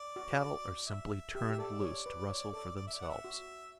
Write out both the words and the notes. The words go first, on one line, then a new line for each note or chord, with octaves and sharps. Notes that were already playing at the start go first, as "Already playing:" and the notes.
The cattle are simply turned loose to rustle for themselves.
Already playing: D5
F#4
E5
G4 E5
G4 E5
A4 D5
C#5
B4
C#5
A4
D5
E5
D5
F#5
E5
F#4